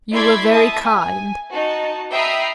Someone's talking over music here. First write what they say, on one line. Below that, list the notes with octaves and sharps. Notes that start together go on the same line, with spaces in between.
You were very kind.
A3 E4 D5 C6 G#6 B6
E5 A5 D#6
G#5
D#4 F#4 A5
E5 G5 A#5 B5 D#6 C7